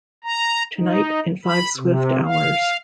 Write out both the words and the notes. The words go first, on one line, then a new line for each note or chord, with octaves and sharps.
Tonight, in five swift hours.
A#5
D#4
B5
C3
F5